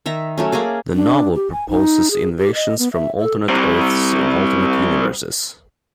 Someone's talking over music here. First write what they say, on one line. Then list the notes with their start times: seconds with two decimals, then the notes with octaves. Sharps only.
The novel proposes invasions from alternate Earths in alternate universes.
0.06 D#3 E5 A#5
0.37 F#3 A3 C#4
0.52 A#3 C#4 G#4 D5
0.94 D4
1.35 G4
1.52 G#5
1.69 D#4
2.11 G#4
2.38 G4
2.55 D#5
2.79 B3
2.93 E5
3.19 A4
3.49 G3 C4